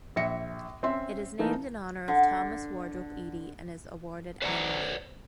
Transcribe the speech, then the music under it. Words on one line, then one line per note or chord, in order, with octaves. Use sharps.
It is named in honour of Thomas Wardrope Eadie and is awarded annually.
A#1 E5 A#6 C#7
C4 C#4 E5 C6
E3 A3 A#3 D#4
D3
B4 C5 D5 F#5 G#5 A#5